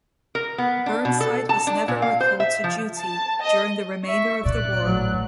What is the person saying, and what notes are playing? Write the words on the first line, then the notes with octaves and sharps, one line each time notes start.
Burnside was never recalled to duty during the remainder of the war.
A#4
B3
D4
B2
A4
A5
D4
A#2
F5
C5
E5
F3
A5
D#5
E5 C#6
A#2 D5 F#6
A1 F#3